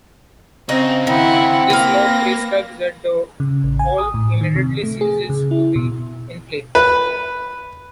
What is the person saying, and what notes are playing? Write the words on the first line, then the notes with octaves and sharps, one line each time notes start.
This Law prescribes that the ball immediately ceases to be in play.
C#3 C4 D#4 F#4
D#3 C4 E4 F#5
A#3 B4 F5 A#6
C#3
A1
G#5
D#6
A2
D#3
C3
A3
G#4
C#3
E4
B2
B4